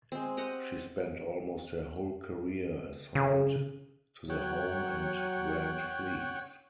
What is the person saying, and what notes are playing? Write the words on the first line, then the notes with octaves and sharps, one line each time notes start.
She spent almost her whole career assigned to the Home and Grand Fleets.
G#3 C4
G4 D#5 F#5
C#3
F#3 C#5 F#5 G5